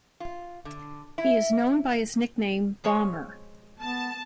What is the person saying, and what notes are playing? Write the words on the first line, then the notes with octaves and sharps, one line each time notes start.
He is known by his nickname "Bomber".
F4
D3
E4
F3 G#3 C#5
B3 A5